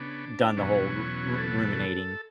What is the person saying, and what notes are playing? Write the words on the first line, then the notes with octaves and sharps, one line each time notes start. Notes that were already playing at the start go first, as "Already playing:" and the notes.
done the whole ru ru ruminating.
Already playing: C#3 B3 D4
E2 B2 F#3 C#4
G#4
A4